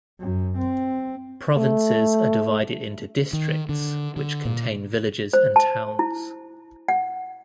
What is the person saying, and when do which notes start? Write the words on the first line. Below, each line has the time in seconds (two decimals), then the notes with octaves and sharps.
Provinces are divided into districts, which contain villages and towns.
0.20 F#2
0.58 C4
1.58 A3
3.33 D#3
3.69 D3
4.16 D3
4.45 A#2
5.33 C5
5.56 A5
5.99 E4
6.88 F#5